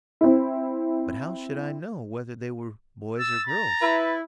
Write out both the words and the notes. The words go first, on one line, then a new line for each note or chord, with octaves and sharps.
"But how should I know whether they were boys or girls?"
C4 E4
E6 A6
A#5
E4 B4